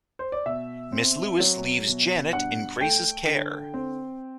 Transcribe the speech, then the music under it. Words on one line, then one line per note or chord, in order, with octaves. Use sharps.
Miss Lewis leaves Janet in Grace's care.
C5
D5
B2 E5
C4
F#3
B2
G2 F#5
A3 G5
D3
C4